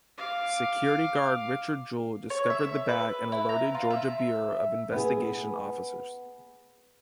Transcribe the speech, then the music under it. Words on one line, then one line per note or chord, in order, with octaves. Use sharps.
Security guard Richard Jewell discovered the bag and alerted Georgia Bureau of Investigation officers.
F5 D6
C#5
E5
B4
E4
A#5
F4
E5
B3 G#4